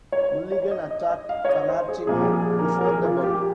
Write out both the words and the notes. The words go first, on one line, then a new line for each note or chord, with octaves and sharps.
Mulligan attacked Sammartino before the bell.
C#5
C#5
D#5
D#5
D#5
F5
C#5
D#5
C5
G#4
C2 A#2 F3 G#4
G#4
A#4
A#4
G#4
F4
G4